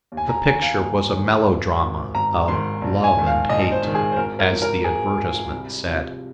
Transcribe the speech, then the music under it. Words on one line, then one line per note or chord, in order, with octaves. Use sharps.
The picture was a melodrama of "love and hate," as the advertisement said.
D#2
G#5
A#5
D#3 G#5
F5
D#2
D#3
G#1
G#2 D#3
G#1 A#5
G#2 D#3 C6
A#1
G#5
G#2 D#3
F5
A#1 D#5
D#5
C5
G#2 D#3
G#4
C5
G#1 A#4
A#4
G#2 F3
A#4
G#1 G#4
G#2 F3
C2
C3 F3